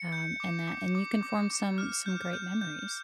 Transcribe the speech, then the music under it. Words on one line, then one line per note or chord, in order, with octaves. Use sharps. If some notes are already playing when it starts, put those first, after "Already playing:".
um, and that and you can form some some great memories.
Already playing: C#7
G6
D6
D6
D6
D6
D6
F6
G6
G6
G6